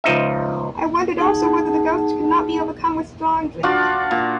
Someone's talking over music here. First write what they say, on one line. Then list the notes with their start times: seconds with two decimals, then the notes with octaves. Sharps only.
I wondered also whether the ghosts could not be overcome with strong drink.
0.04 C#2 F3 D#4 E5
1.18 D#4 G#4 F#5 A5
3.63 D4 F4 F#4 D5
4.11 A#2